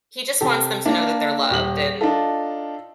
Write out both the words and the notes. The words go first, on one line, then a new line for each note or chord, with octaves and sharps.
he just wants them to know that they're loved and
C3 G4 A4
A#3 D4
D#1 G4 F#7
D4 D#4 F4 A4